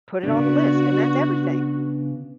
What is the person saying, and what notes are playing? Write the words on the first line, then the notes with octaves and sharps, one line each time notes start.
put it on the list, and that's everything.
C#3 B3 D4 F#4